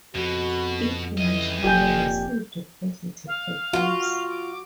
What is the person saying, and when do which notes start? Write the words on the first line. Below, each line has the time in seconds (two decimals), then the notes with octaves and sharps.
It initially received positive reviews.
0.15 F2 B2 F#4
1.18 C#2 E3 D#5
1.64 F1 F2 A#2 G4 G#5 G6
3.27 F5
3.73 F4 F#4
4.29 D6